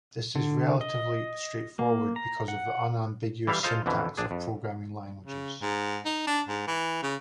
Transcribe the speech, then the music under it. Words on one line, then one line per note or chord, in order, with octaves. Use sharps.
This is relatively straightforward because of the unambiguous syntax of programming languages.
D3
D#5
A#3
A#5
F#5
E3 G3 E4 F5
F4 G#4 A4 C5 D#5 F5
F2 B2 D3 E3
A#1 D4 G#4
F2
C#3
G#2
D#4
D4
G#2
E3
C#3